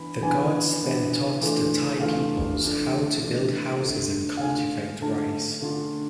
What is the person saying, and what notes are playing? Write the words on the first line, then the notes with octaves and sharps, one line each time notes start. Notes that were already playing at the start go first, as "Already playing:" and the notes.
The gods then taught the Tai peoples how to build houses and cultivate rice.
Already playing: E3 B3 D4 B5
E3 B3 D4 G#5
E3 B3 D4
E3 A3 D4 F4
E3 A3 D4 F4 F5
E3 A3 D4 F4
E3 A3 D4 F4
D3 A3 D4 F4
F5
D3 A3 D4 F4 G#5
D3 A3 D4 F4 A5
D3 A3 D4 F4